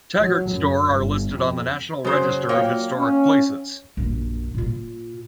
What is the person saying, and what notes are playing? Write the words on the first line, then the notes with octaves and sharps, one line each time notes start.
Taggart Store are listed on the National Register of Historic Places.
F#3
F#2
G1
F2
F#2 C#3 C5
A#2 A#3 C#5 G5
C#4
A#1 F#2
A#2 F4